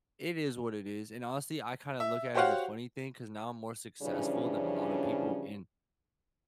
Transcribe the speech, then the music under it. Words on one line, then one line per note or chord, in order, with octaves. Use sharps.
it is what it is, and honestly, I kinda look at it as a funny thing 'cause now I'm more successful than a lotta people in
E5
F#4 G4 C5 C#5 F5 F#5
C#3 E3 F3 G3 C#4 D4